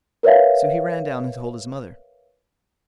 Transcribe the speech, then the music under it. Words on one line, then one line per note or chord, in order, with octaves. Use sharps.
So he ran down and told his mother.
A#4 B4 C#5 E5 F5